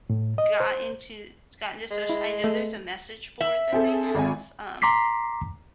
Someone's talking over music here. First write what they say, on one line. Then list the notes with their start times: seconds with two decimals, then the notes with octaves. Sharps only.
gotten to gotten to social I know there's a message board that they have, um
0.10 A2
0.38 D#5
0.60 C5
1.91 G#3
2.09 E4
2.44 A3
3.41 E5 F#7
3.72 C4 G#4 A4
4.15 G#1 G#5
4.82 A#5 C6 D6 B6 C7